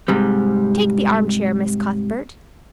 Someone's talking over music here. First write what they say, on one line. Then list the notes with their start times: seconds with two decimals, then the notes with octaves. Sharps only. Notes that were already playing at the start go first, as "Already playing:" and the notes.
Take the armchair, Miss Cuthbert.
0.08 G#2 C3 G3